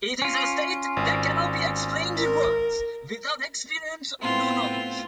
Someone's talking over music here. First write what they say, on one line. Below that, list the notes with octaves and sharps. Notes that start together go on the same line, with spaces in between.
It is a state that cannot be explained in words: 'without experience no knowledge.
C#4 F4
G#1
A#4
A2 B3 C4 E4 F4 C6